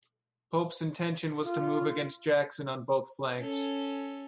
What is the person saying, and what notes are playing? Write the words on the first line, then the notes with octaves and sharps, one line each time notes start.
Pope's intention was to move against Jackson on both flanks.
F4
C#4 A4